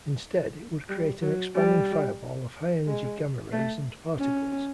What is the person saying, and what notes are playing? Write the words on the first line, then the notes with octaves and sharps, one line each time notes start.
Instead, it would create an expanding fireball of high-energy gamma rays and particles.
G3
F#3
G3
G#3
A3
C#4